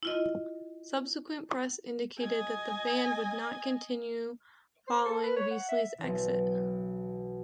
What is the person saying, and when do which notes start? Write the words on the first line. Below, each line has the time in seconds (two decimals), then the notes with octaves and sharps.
Subsequent press indicated that the band would not continue following Vesely's exit.
0.03 E4 F4 D#5
2.19 D#5 G#5
4.87 C5
5.06 A4
5.23 B4
5.36 C#5
5.51 F#5
5.69 E5
5.98 B1 E3